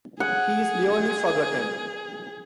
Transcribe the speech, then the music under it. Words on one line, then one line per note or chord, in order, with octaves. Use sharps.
He is nearly forgotten.
G#4 F#5